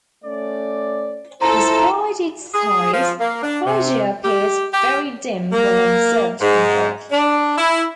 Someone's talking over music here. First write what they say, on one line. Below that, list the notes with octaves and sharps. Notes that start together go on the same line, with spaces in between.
Despite its size, Hygiea appears very dim when observed from Earth.
A3 C#4 D5
E4 F4 A4 C5 A#5
G#4
F3
A#3
D4
C3
G4
G4
A#3
G#2
D4
E4